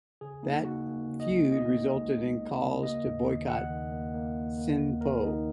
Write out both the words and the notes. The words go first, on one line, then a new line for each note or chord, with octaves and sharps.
That feud resulted in calls to boycott "Sin Po".
C#3 G#4
A#3 D#4
C#3 F#4
A#3
C#3
D#5
C#2
A#3 D#5
C#2
C#2
C#2
C#2
C#3
A#3 D#5
D#2
D#3
D#2 F#5
D#3
A#3
A#3
D#2
A#3
D#2
D#2 A#4
D#3 D#4